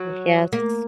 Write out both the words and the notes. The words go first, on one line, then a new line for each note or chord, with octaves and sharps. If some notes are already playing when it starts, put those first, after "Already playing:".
Mm, yes.
Already playing: F#3
A#3